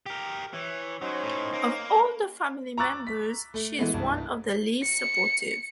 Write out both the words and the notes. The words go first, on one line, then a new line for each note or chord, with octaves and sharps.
Of all the family members, she's one of the least supportive.
G4 A#4
E3 C#5
F#3 C#4 D#4 C5
A2
A#3
A#5 C#6 D6 E6 F#6 A6
B6
A3
E3 G#3 A3 B3
C2 G2
C#7